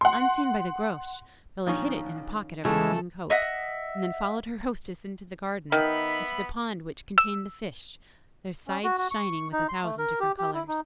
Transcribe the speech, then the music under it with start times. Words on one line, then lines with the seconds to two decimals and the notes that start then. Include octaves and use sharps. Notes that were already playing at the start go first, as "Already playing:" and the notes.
Unseen by the Groac'h, Bellah hid it in a pocket of her green coat, and then followed her hostess into the garden, and to the pond which contained the fish, their sides shining with a thousand different colours.
0.01 F#5 C6
1.67 A#1 D#3 C#4 D#4
2.65 E2 C#3 E3 G#3 A3 E4 A4
3.30 D#5 E5 F#5
5.72 D#3 B3 E5 B5
7.18 E6
8.67 C#4
8.84 F#4
8.98 F#4
9.11 C#6
9.52 D#4
9.68 C6
9.83 A3
9.98 A#4
10.20 G4
10.38 G4
10.54 E4
10.68 D#4